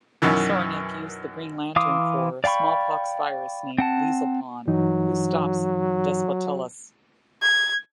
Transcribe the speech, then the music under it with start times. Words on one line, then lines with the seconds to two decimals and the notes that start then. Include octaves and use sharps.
Soranik used the Green Lantern Corps smallpox virus named Leezle Pon, who stops Despotellis.
0.22 F#2 B2 D#3 E3
1.76 E3 F5 C6 D6 D#6
2.44 D5 F5 G5 B5 C#6
3.78 C4 F#5 A5
4.67 G2 E3 F#3 D#4
7.42 G#6